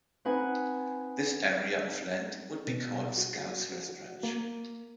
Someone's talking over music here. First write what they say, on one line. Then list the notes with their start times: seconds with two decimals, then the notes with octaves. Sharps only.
This area of land would be called "Scout's Rest Ranch".
0.25 C4 D#4 B4 F#5 G#5
2.67 B2
3.18 F#4
3.89 F#4
4.23 A#3